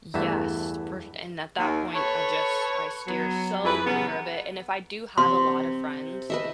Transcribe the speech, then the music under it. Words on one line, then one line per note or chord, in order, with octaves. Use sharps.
Yes, fer and at that point, I just I steer so clear of it, and if I do have a lot of friends,
E2 G2 E3 A3 E5
D#2
A4 B4 C#5
F#3 B3
F2 E4 G#4 B4
C#3 F#3 G3 B3
C3 C6
B4 D#5 E5